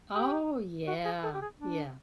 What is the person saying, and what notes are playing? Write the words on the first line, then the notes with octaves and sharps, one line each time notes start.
Oh, yeah. Yeah.
G4
F#4
G#4
A4
G4
G#4
D4